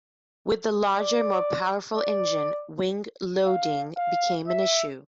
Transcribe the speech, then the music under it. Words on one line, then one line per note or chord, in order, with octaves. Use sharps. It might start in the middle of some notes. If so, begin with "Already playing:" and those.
With the larger, more powerful engine, wing loading became an issue.
D5
D5
F5
F5
E5